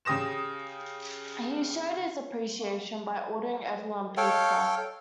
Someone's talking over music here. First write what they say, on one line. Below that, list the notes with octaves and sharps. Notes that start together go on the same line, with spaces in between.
He showed his appreciation by ordering everyone pizza.
C#3 G4 D#6 A#6 E7
A4 C#5 F5 G5